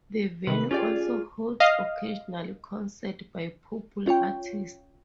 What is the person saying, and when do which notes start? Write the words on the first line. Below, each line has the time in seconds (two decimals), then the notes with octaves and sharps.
The venue also hosts occasional concerts by popular artists.
0.47 C3 D#3 B4
0.71 C#4 F4 G4 G#4 D5
1.60 D#5 F5
4.06 C#4 F4 C#5 G5